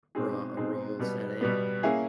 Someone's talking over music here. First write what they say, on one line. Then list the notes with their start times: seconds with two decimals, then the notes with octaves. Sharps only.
ru a rural setting,
0.15 B2 G#3 C4 D#4 G#4
0.57 B2 G#3 C4 D#4 G#4
0.99 B2 G3 B3
1.41 B2 G3 B3
1.83 A#3 C#4 E4 G#4